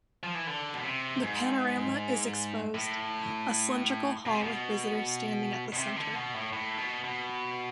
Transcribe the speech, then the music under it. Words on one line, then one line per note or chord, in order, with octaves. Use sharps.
The panorama is exposed a cylindric hall with visitors standing at the center.
F3
E3
D3
B2
C3
G#2
A2
B2
C3
B2
B2
C3
D3
B2
A2
A2
B2
B2